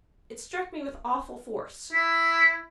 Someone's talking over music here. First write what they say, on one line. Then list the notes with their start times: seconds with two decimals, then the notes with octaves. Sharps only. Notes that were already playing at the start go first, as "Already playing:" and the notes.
It struck me with awful force.
1.93 E4